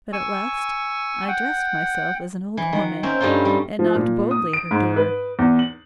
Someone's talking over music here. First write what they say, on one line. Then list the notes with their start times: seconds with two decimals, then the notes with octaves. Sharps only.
But at last I dressed myself as an old woman, and knocked boldly at her door.
0.13 G#5 C#6 E6
1.28 F#5 G5
2.57 E3
2.73 D#3 F#5
3.03 A#3 C4 C#4 A#4 C5 E5
3.20 G2 G3 A3 D#4 F4
3.45 G3
3.79 F3
3.95 A#2
4.31 D#6
4.53 D7
4.71 G#2
4.96 B4
5.39 E2
5.59 F#7